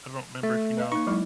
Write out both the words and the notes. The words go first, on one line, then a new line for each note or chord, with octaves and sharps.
I don't remember if, you know
A3
B4 D#5 F5
A#3 D#4 C#6
F#3 G#3 E4